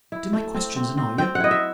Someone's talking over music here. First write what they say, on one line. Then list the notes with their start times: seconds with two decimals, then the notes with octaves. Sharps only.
"Do my questions annoy you?"
0.12 E4
0.33 A3
0.54 C4
0.76 C4
0.97 C4
1.18 C4 G5
1.35 F#5
1.40 E4 D#5
1.51 E5